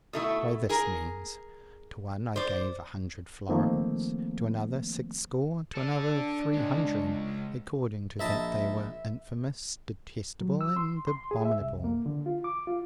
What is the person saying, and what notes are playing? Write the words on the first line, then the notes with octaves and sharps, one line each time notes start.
By this means, to one I gave a hundred florins, to another six score, to another three hundred, according to that they were infamous, detestable, and abominable.
B2 A3 E4
G#4 A#4
C5 D5
D#3 F3 A3 A#3 C4
A4 D5
D4
C#2 G#3
A#1 D#5 E5 A5
F#3
E6
C6
C6
G#4
E5
C2
A#3
D3
F4
D6
F4